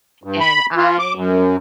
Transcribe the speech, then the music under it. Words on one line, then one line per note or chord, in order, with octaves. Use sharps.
And I
G2
B5
F4
D6
F#2